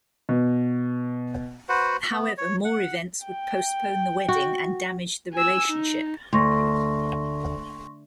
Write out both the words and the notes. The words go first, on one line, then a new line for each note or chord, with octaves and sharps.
However, more events would postpone the wedding and damage the relationship.
B2
F#4 B4 C5 F#5
B3
C#5
F#5
G5
F#4
G#5 E6
D#4
D2 C6 C#6 A#6